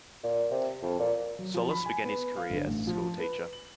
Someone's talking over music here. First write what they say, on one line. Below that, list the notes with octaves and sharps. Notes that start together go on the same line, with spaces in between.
Solis began his career as a school teacher.
A#2
C3
F2
A#2
F#3
F3
B5
G#5
B3
F5
G1
A1
F3
B4
F#7